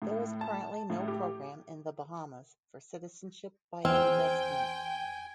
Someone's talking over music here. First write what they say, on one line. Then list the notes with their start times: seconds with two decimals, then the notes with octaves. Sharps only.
There is currently no program in The Bahamas for citizenship by investment.
0.02 A2
0.41 A5
0.90 A2
1.08 G4
3.85 E2 C4 G5 G#5 F6